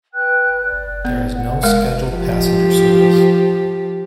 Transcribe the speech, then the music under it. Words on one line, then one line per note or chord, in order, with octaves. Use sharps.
There is no scheduled passenger service.
B4 G5 F#6
D5
B3
F#5
G#3 A#4 F5
F3 G4